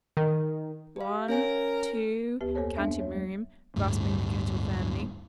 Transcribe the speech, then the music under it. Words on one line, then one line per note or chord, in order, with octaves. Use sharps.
"One, two," counted Miriam, grasping the kettle firmly.
D#3
G4 F5
C#4 A#4 C#5 G#5
D2 B3 G4 B4
F2 A#3 A4 C5 C#5 A5
A#3 B3 C#4 D4 E5 F5
F#3 C#5
G#3
D1 E2 G2 A3